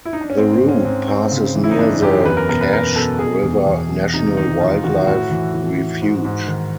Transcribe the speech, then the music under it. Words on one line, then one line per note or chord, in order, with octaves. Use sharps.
The route passes near the Cache River National Wildlife Refuge.
E4
D#4
D4
C#4
G#2 C4
C4
G#2
C#4
G#2 C4
G#2 C4
C#3
E3
E4
D#4
F#2 D4
F#2 G4
E2 B4
A#4
B2 A#4
B4
B2 A#4
B2 A4
B2 G#4
E2
E2
B2
C3 D#4
D#3 D#4
F2 F4
D#3 F#4
A2 F#4
E3
E3
E3
G#2
G#2
D#3